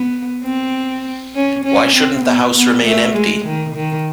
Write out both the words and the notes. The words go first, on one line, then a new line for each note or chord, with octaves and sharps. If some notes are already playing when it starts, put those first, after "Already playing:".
Why shouldn't the House remain empty?
Already playing: B3
C4
C#4
C#4
C4
B3
B3
A3
G#3
D#3
D#3